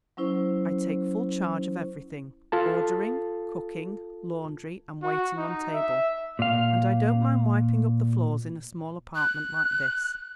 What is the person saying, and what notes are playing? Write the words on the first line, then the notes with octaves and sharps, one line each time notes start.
I take full charge of everything--ordering, cooking, laundry and waiting on table, and I don't mind wiping up the floors in a small apartment like this.
F#3 C#4 E4 C5
F4 A4 A5
F#4
D#4
E5
A#2 F5
F#6